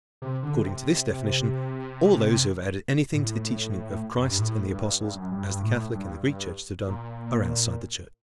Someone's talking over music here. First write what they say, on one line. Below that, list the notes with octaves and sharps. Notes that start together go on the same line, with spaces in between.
According to this definition all those who have added anything to the teaching of Christ and the apostles, as the Catholic and Greek churches have done, are outside the Church.
C3
D3
C3
A2
F#2
G2
A2
G2
G2
F#2
G2
G2
A2
G2
G2
A#2